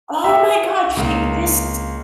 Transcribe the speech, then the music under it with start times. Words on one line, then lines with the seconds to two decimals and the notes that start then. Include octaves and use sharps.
Oh my god, she this is
0.24 E5
0.97 C#2 A#3